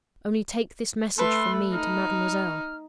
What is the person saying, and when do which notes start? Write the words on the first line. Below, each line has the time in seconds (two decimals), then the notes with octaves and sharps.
Only take this message from me to mademoiselle.
1.18 A3 A4 B4 C6
1.73 D#4 F6